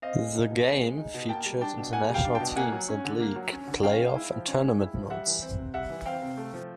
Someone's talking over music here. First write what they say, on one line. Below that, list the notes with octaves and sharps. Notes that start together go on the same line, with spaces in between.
The game featured international teams and league, play-off and tournament modes.
C4 D#5 F5
G#3
D#4
B2
C4
G#3
D#4
B2
A#3 G5 A5
G3
D4 G5 A5
B2
A#3 F#5 G#5
G3
F5 G5
D4
G5 A5
B2
A#3 F#5 G#5
F#3
C#4
D3
A#3
F#3
C#4
D3
C#4 F5 G5
G#3
E4
F3
C#4
G#3
E4
F3
G3 E5 F#5
E3
C4
C3
G3 E5 F#5
E3
C4 F5 G5
C3
A3
F3